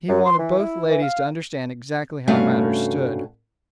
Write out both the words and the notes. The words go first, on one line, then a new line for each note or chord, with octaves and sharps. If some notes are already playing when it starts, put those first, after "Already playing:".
He wanted both ladies to understand exactly how matters stood.
F#2
C6
E3
E4
E3
F5
G2 C3 A3 C#4 F#4 F5